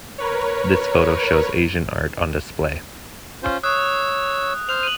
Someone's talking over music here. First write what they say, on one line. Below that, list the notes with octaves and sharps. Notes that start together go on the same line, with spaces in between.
This photo shows Asian art on display.
A#4 B4 C#5
C#4 F4 C5
C#5 D#6 E6 F#6
C5 F6 F7
D#7 F#7